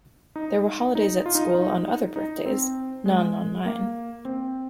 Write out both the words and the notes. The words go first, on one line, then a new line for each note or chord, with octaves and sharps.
There were holidays at school on other birthdays — none on mine.
D#4
D#4
F4
D#4
F4
D#4
D#4
C4
G#3
A#3
C4